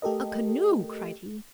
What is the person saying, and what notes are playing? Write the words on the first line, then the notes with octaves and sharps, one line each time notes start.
"A canoe!" cried he.
A3 G4 A4 A#4 D#5